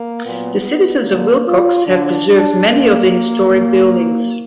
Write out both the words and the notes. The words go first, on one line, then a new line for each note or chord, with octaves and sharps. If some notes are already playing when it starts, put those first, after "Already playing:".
The citizens of Willcox have preserved many of the historic buildings.
Already playing: A#3
A#2 F#3 B3
D3 F#3 A#3
F4
D3 F3 D4
D4
A#2 F3 A#3
A#2 F3 A#3